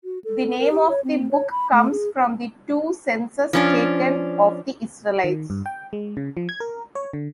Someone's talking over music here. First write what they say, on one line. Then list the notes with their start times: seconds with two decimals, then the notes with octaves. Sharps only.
The name of the book comes from the two censuses taken of the Israelites.
0.04 F#4
0.24 A4
0.59 A#4
0.72 G4
0.89 C#5
1.04 C4
1.31 C#5
1.51 B5
1.72 A3
1.91 G#4
3.53 F3 C#4 D4
5.24 D#3
5.50 G2
5.66 G5
5.93 G#3
6.17 C#3
6.37 F3
6.49 G#6
6.60 A#4
6.95 C#5
7.13 D3